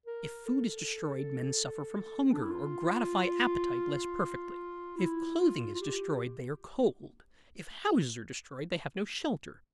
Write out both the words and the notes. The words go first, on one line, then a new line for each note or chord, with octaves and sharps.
If food is destroyed, men suffer from hunger or gratify appetite less perfectly; if clothing is destroyed, they are cold; if houses are destroyed, they have no shelter.
A#4
A4
C4
D4
E4
F4
E4
F4
F4
G4